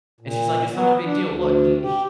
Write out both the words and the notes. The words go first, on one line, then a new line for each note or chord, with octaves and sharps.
And she's, like, "It's not a big deal. Look. He he
A#2
B3
D4
D2
G4